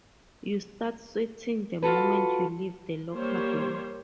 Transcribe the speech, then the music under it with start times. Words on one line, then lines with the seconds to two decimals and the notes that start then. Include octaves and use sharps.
You start sweating the moment you leave the locker room.
1.82 F4 F#4 A4 B4
3.15 G3 A#3 C5 C#5